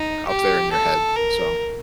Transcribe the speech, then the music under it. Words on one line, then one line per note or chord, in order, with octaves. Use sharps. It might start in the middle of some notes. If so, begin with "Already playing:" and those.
up there in your head. So,
Already playing: D#4
G4
A4
A#4